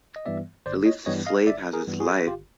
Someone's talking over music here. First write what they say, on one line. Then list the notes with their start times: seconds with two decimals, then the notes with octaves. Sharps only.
At least the slave has his life.
0.16 D#5
0.25 G2 E3 G3 B3 D5 E5
0.66 G1 C5 D5
0.86 C#5 D#5
1.06 G2 E3 G3 B3 C#5 D#5
1.26 D#5 F5
1.47 G1 D5 E5
1.73 G#4 A#4
1.87 G2 E3 G3 B3
2.00 F#4 G#4
2.27 G1 F4 G4